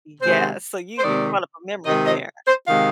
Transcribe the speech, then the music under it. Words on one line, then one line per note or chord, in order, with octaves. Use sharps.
Yeah, so you you brought up a memory there.
C3 D#3 G#3 C5
C5
C3 D#3 G#3 D5
C3 D#3 G#3 D#5
D#5
C5
C3 D#3 G#3 F5